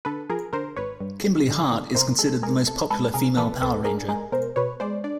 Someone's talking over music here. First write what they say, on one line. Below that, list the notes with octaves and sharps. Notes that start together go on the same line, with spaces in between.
Kimberly Hart is considered the most popular female power ranger.
D3 A4 B4
F3 G#4 A#4
D3 A#4 C5
G#1 B4 C#5
G2
G2
D3
D3
C3 A#4 C5
G#3 A4
G#3 G#4 A#4
C3 A4
G#3 A4 B4
C3 G#4 A#4
E3 A4 B4
C#2 A4 B4
D4 G#4 A#4
G#3 G#4 A#4
B2 A#4 C5
B2 B4 C#5
G#3 C5 D5
D4 D5